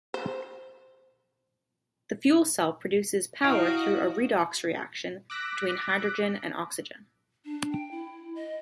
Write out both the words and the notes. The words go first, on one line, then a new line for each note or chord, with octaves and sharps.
The fuel cell produces power through a redox reaction between hydrogen and oxygen.
C5
E4 F#4 D#5 F5 G5
D6 E6 F#6 A#6 B6 D7
D4
G5
E4
D#5